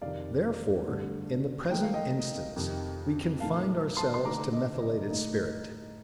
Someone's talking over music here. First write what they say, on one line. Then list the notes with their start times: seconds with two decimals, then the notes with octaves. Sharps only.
Therefore, in the present instance, we confined ourselves to methylated spirit.
0.02 F2 C3 D#3 D5 F5
0.86 G2 D3 A3
1.71 D#3 A3 D#4 G5
1.83 F5
1.94 D#5 G5
2.56 F2 C3 D#3
3.40 A#2 A3 D#4 F5 A5
3.97 A5 C6
4.14 C6
4.25 D3 A3 D#4 A#5 D6
4.53 D#5
4.82 D5
5.10 A2 A3 D#4 D#5